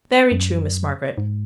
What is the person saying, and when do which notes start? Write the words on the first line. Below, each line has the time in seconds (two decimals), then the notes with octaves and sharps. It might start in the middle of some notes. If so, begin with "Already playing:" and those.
'Very true, Miss Margaret.
0.31 F#2
1.18 G#2